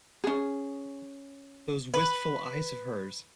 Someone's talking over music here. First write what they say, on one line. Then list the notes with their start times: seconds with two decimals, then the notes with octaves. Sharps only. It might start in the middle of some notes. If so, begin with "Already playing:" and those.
Those wistful eyes of hers!
0.24 C#4 G#4
1.94 B4